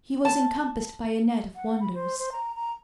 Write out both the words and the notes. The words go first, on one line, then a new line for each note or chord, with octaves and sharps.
He was encompassed by a net of wonders.
A5
F#5
B5
C5
C5
A#5
A#5